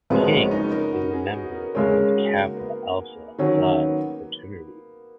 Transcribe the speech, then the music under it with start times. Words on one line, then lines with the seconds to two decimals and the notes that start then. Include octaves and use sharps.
King is a member of Kappa Alpha Psi fraternity.
0.10 F#1 F#2 F3 G#3 B3
0.31 C#4
0.51 D#4
0.72 A#4
0.93 F#4
1.13 G#4
1.34 F#4
1.54 A#4
1.75 C#3 G#3 C#4 A#4
1.95 G#4
2.16 F#4
2.36 A#3
2.57 B3
2.98 A#3
3.39 D#3 F#3 A#3 C#4
3.80 B3